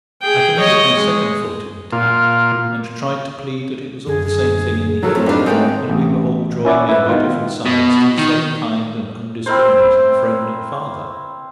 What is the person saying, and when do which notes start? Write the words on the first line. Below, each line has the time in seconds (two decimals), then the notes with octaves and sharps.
I committed my second fault in tact, and tried to plead that it was all the same thing in the end, and we were all drawing near by different sides to the same kind and undiscriminating Friend and Father.
0.22 G#4 G5
0.59 C#5 D#5
0.97 G#3
1.92 A#2 F4
4.07 F#2 D3 G#4
4.25 G#4
5.03 F3 F#3 E4 F#4 A4 A#4
5.15 A2 A3 C4 A4 A#4 C#5
5.26 D4 D#4 G4 B4 F5
5.46 G#2 D#3 A3 C#5 D#5 F#5 G5 D#6
5.90 A1
6.65 C#4 E4 D5 F#5
6.89 E4 B4
7.09 B2 D#3 F4
7.66 B2
8.18 D#3
9.46 C4 E4 A#4 C5